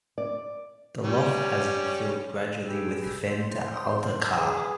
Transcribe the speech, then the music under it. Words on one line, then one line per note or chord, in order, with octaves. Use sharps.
The lough has infilled gradually with fen to alder carr.
D5
G3 C#4
G4 G#4 B4 E6
C5 C6 G6
G#4 B4